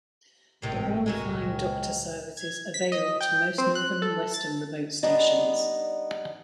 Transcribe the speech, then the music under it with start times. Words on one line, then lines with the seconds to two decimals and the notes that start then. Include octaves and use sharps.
The Royal Flying Doctor service is available to most northern and western remote stations.
0.62 G#1 A2 C3 D#3
1.06 C#2 A#2 D#3 F#3 G#3
2.37 G#6
2.74 B6
2.92 D#5
3.21 G5
3.58 C4
3.75 F#6
4.02 A4
4.34 A6
5.03 G3 B3 D4 D#4